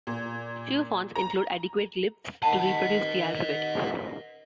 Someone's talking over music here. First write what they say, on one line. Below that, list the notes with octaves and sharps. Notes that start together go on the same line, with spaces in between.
Few fonts include adequate glyphs to reproduce the alphabet.
A#2
A#5
D#3 D#5 F#5 A5